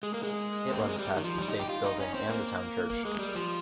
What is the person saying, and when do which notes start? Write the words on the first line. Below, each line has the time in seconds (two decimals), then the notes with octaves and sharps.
It runs past the States Building and the Town Church.
0.03 G#3
0.14 A#3
0.23 G#3
0.72 C4
0.78 A#3
0.89 G#3
0.99 G3
1.17 D#3
1.24 F3
1.38 G3
1.48 D#4
1.60 G4
1.69 F4
1.85 D#4
2.00 C#4
2.14 C4
2.29 A#3
2.90 A#3
3.05 G#3
3.19 G3
3.35 F3